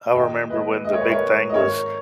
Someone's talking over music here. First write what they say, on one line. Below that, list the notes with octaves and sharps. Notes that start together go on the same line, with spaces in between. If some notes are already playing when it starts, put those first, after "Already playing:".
I remember when the big thing was
D#2 D#5 G5
G#3 B4 D#5
G#3 D#5
C#5
B4
A#4 C#5
G#3
D#5
G#1 A#4 C#5